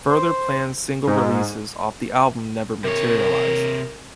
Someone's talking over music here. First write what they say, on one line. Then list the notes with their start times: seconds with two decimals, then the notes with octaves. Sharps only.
Further planned single releases off the album never materialised.
0.10 C5
1.08 G#2
2.84 C3 A#4 C#5